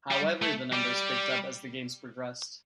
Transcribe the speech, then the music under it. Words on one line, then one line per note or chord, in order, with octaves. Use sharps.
However the numbers picked up as the Games progressed.
G3
A3
G3